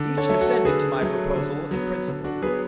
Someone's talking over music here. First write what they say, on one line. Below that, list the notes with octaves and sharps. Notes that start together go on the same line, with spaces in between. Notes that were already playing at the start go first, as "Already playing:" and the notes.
Each assented to my proposal in principle.
Already playing: D3
A4 C#5
F#3 A3
F#4 A4
D3 G#4 B4
F#3 A3
D3
F#3 B3
D3
D4 F#4
F#3 B3 G#4 B4